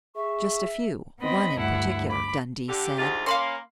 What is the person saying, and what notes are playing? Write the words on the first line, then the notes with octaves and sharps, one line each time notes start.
"Just a few--one in particular," Dundee said.
G#4 E5 C#6
B3 C4 D#5 B5
D2 G2 E4 F#5
B5 D6
D3 G4
D2 G#2 F4
A#3 C#4 F5 B5 C6